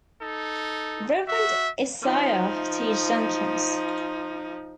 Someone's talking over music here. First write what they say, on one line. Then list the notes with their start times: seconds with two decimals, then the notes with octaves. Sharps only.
Reverend Isaiah T. Jenkins.
0.22 D#4 A4
1.28 F#4 E5
2.02 F3 D#4